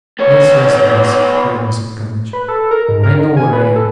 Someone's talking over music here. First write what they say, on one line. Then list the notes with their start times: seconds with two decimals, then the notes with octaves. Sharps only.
'Yes, yes, it is,' cried Mrs. Gummidge. 'I know what I am.
0.19 B3 C#5
2.33 B4
2.48 A4
2.71 A#4
2.89 G#2
3.03 A#4
3.19 D#3
3.37 G#5
3.53 B4
3.76 A4